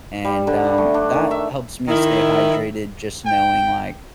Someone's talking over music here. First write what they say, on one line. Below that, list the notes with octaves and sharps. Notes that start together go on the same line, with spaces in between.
and, um, that helps me stay hydrated, just knowing, like,
G3
D3
A3
D4
D#3
E5
D#3 E4
G5